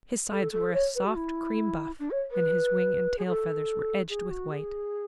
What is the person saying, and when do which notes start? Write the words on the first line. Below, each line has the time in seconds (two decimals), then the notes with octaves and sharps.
His sides were a soft cream-buff, and his wing and tail feathers were edged with white.
0.32 A4
0.52 A4
0.74 C#5
0.95 B4
1.05 F#4
1.16 E4
1.99 D4
2.11 C#5
2.31 B4
3.19 G#4
3.27 A4
4.09 G#4
4.30 F#4
4.52 G#4